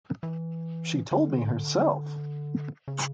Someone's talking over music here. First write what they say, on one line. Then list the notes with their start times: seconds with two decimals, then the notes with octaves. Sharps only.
She told me herself.
0.23 E3
1.11 D3
2.88 C#3